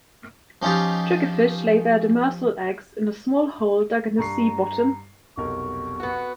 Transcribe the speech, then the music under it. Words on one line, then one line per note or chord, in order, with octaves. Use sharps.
Triggerfish lay their demersal eggs in a small hole dug in the sea bottom.
F3 C#4 D#4 F4 G4
G2 A#5 C#6 C7
F1 B1 A#4 C#6
B3 F#4